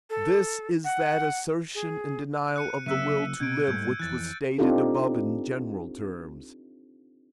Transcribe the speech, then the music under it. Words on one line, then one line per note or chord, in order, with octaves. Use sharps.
This is that assertion and denial of the will to live which was stated above in general terms.
A4
F#5
G#4
F#6 C#7 D#7
C#3 F#3 A#3 E5 E6 F#6 D#7
B2 G6 G#6 D7
G#2 G3 A3 G6
F2 E3 F#6 A6
C4 D4 D#4 F4 G4 A4